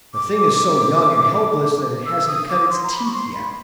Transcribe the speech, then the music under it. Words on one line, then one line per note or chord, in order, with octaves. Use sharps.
The thing is so young and helpless that it hasn't cut its teeth yet.
D6
E6
D#6
D6
C6
A#5
B5
C#6
C6
B5